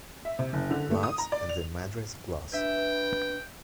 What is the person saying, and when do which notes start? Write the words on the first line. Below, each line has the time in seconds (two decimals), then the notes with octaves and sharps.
Platts and the Madras Gloss.
0.25 E5
0.39 C3
0.53 F#1
0.70 D3
0.91 A3
1.03 D#6
1.18 A#5
1.32 D5
1.49 F7
2.53 D4 B4 E5 G5